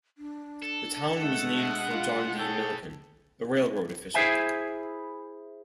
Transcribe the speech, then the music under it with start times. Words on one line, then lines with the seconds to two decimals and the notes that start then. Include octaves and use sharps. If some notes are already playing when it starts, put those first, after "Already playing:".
The town was named for John D. Milliken, a railroad official.
0.18 D4
0.63 A4
1.20 G#3 A3 F#5
1.57 B2
1.90 F4
2.38 G#4 A4 C#5 G5
4.14 E4 G#4 A4 C5 E5 G#5